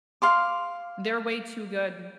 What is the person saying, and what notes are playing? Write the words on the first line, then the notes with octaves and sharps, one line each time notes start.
They're way too good.
F5 C6 D6